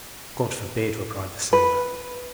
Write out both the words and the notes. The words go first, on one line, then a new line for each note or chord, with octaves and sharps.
"God forbid!" replied the sailor.
B4